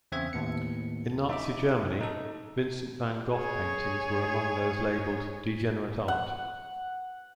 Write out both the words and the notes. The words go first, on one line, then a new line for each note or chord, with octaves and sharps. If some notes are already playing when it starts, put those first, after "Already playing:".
In Nazi Germany, Vincent van Gogh paintings were among those labelled "degenerate art".
E2 C#3 C4 G#4 E5 G#6
D#2 A2 B3 C#7
D#4 E5 D6
D#4 A4
G#4 C#5
F#5